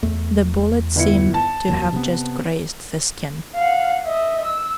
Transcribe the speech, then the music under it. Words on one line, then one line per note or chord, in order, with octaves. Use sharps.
The bullet seemed to have just grazed the skin.
E2 A3
G1 E4 C#7
A5
F1 D#2 F#3
C3 B3
F5 F#5
D#5 E5
E6